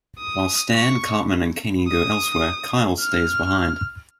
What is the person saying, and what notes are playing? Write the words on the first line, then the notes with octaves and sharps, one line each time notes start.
While Stan, Cartman and Kenny go elsewhere, Kyle stays behind.
D#6
C#6
D#6
F6